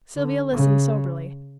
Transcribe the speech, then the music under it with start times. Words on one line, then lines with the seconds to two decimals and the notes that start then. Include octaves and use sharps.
Sylvia listened soberly.
0.16 D3
0.53 C#3